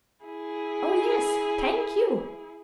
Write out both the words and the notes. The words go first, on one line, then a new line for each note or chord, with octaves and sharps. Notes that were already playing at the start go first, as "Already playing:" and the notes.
Oh yes--thank you.
E4 G#4